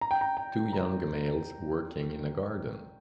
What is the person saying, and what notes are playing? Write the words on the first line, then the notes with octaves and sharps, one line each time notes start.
Two young males working in a garden.
A#5
G5
A#5
G5
A#5